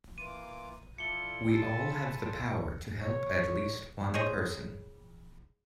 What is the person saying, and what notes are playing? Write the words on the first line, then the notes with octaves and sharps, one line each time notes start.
We all have the power to help at least one person.
E3 A#3 F4 D6 D#7
E4 F4 A4 D5 C#7 G7
F4 A4 G#5 A5 B5
C#5
G#4 C5 C#5 D#5